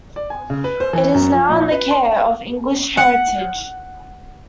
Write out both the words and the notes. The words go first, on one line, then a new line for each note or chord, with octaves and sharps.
It is now in the care of English Heritage.
D5
G#5
C#3
B4
C5
E3
F#2
F3
A#1
B4
C6
F#5